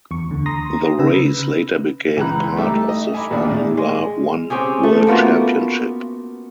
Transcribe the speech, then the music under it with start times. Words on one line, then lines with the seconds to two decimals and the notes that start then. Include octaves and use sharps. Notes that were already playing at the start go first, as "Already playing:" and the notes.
The race later became part of the Formula One World Championship.
0.11 E2 C#6
0.30 D2 D3
0.46 A#5 C6 D#6 A#6
0.99 C#3 B4 E6
2.17 C#2 E3 D#4 A#5 B5 F#6
2.57 G3 A3 D#4 E5 G5 D6
2.89 D#5
3.13 E5 G#5 A#5 B5 D6
3.31 D#2 A#2 D4 G#4 D5
3.48 A2
3.77 G#3
4.50 C4 C#4 G4 G#4
4.83 A3
5.07 A#3 B3 F4 F#4